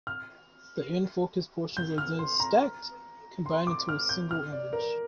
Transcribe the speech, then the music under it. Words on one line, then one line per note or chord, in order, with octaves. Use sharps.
The in-focus portions are then "stacked"; combined into a single image.
F6
G6
F6
C6
A#5
C6
D6
F6
G6
F6
D5
A#4